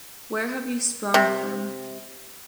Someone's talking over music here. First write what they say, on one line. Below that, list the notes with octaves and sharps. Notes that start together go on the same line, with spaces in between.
Where have you sprung from?
C3